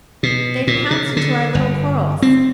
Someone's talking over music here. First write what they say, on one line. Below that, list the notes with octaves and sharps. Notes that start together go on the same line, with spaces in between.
They've pounced into our little quarrels....
B2
A#2
C#3
D3
G1
C4